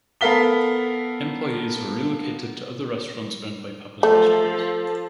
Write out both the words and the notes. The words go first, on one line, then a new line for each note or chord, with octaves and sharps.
Employees were relocated to other restaurants owned by Pappas Restaurants.
B3 A4 A#4 F5 B6 G7
F3 A3 A4